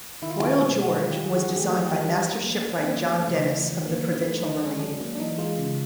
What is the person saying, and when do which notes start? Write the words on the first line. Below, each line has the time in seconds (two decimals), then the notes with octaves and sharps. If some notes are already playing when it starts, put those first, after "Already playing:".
"Royal George" was designed by Master Shipwright John Dennis of the Provincial Marine.
0.22 D#3 E4
0.30 F4
0.39 F#3 E4
0.60 B2
0.79 G#3
0.98 D#3 F4
1.11 G4
1.17 G3
1.25 G#4
1.36 E3 F#4
1.49 G#4
1.56 A3 G4
1.76 E3
1.85 G4
1.94 G3 F4
2.03 D#4
2.13 G3 D4
2.33 A#3
2.52 F3
2.71 A#3
2.82 C4
2.89 F3 C#4
3.10 A3
3.27 C#3
3.47 E3
3.66 F3
3.86 A#3
4.04 F3
4.24 A3
4.43 D#3 D#4
4.55 D4
4.62 G#3 C#4
4.79 F#3 D4
5.00 A#3
5.15 D4
5.19 E3 D#4
5.38 G#3 F4
5.58 C#3